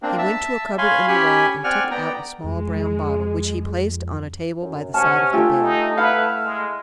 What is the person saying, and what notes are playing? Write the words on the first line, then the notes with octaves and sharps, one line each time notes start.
He went to a cupboard in the wall, and took out a small brown bottle, which he placed on a table by the side of the bed.
A#3 C4 D4
E5 A5
C#5 F5 G#5 B5 C6
C#4 G4 G#5 B5
C4 D5 F#5 G#5 F6
B3 D5 G5 A#5
F2 G#3
F#2
C3 C#4 F#5 G#5 A5 C#6 F6
A3 D4 F4 G4 G#5 E6
D#4
E4 B4 F5 F#5 E6 F6
G#3